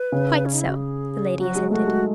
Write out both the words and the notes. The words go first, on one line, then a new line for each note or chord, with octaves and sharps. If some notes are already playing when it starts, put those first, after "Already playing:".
"Quite so," the lady assented.
Already playing: B4
C#3
C#4
D#4
E4
F#4
G#4
F#3 F#4
G#3
A3 F#4
G#3